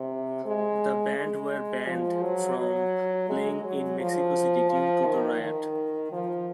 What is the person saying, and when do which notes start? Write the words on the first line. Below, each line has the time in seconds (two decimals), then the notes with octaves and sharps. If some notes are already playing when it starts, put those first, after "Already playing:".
The band were banned from playing in Mexico City due to the riot.
Already playing: C3
0.46 G#3
1.16 G#3
1.87 F3
2.23 F#3
2.58 F#3
3.29 G#3
3.65 F#3
4.00 F3
4.70 F3
5.06 D#3
5.41 D#3
6.12 F3